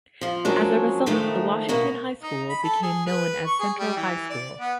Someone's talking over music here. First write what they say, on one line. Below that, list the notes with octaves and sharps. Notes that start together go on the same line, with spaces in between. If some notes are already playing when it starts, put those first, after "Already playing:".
As a result, the Washington High School became known as Central High School.
F3 F4
F3 F#3 G#3 A#3 C#4 D4
D#3 F3 G#3 A3 D4 D#4
B2 A#3 B3
D#4
B5
A4
G#4
B4
C#6
G#4
G3
E3
D5
B3